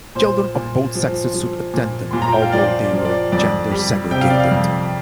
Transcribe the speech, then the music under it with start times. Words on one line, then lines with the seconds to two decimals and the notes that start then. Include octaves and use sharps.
Children of both sexes could attend them, although they were gender segregated.
0.15 A#2 C5
0.55 A#2
0.95 F3
1.34 F3
1.73 A#2
2.11 A#2 C6
2.22 A#5
2.32 G5
2.42 F5
2.52 F3 D5
2.79 D5
2.93 F3
3.05 D5
3.32 F2 D5
3.71 G3
4.11 C3 G5
4.21 F5
4.30 D5
4.40 F5
4.51 F2